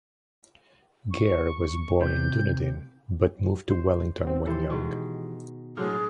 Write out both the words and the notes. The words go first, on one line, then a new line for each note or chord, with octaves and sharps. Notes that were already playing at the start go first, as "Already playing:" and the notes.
Gair was born in Dunedin, but moved to Wellington when young.
C#6
C3 G6
C5
B3 C4
E3 E4 G4 A4 C5
B2 D#3 G#3
A2 F#3 D4 G#4 A4 C5 F6